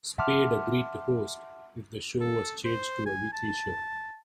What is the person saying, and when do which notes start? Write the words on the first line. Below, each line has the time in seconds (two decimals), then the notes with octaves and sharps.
Spade agreed to host if the show was changed to a weekly show.
0.18 E5 F#5 A5 C6 D6 F6
2.20 A4
2.65 C5
3.06 G#5
3.33 A5